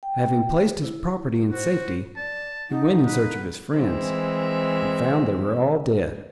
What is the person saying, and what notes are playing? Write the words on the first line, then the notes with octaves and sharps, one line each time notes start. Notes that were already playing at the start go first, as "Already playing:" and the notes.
Having placed his property in safety, he went in search of his friends, and found they were all dead.
G5
E4
F#4 C5
D5 A5
D#4 F#5
B4
E3 G#3 C4 E5